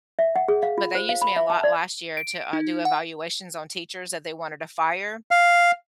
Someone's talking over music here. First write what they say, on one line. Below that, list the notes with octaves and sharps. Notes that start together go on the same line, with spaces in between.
But they used me a lot last year to, uh, do evaluations on teachers that they wanted to fire.
E5
F#5
G#4
F5
F4
C5
F5
B5
E5
A5
D5
D7
D#4
F#5
F5